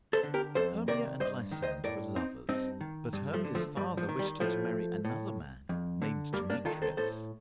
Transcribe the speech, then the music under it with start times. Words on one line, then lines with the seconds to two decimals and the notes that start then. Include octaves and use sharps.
Hermia and Lysander were lovers; but Hermia's father wished her to marry another man, named Demetrius.
0.13 A4 C5
0.23 D3
0.34 G4 A#4
0.55 F2 A4 C5
0.88 C3 D#3 A#4 D5
1.20 G2 C5 D#5
1.51 D#3
1.63 C5 D#5
1.84 A2 A#4 D5
2.16 C4 D#4
2.49 G2 C4 D#4
2.81 D#3
3.13 G2
3.34 F3 A3
3.45 D3
3.55 F3 A3
3.77 G2 G3
3.97 F3
4.09 D#3
4.19 G3
4.40 A2 F3 A3
5.05 A2
5.69 F2
6.02 D3
6.33 G2 G3 A#3
6.50 A#3 D4
6.65 D#3 F4 A4
6.82 A4 C5
6.97 A2 A4 C5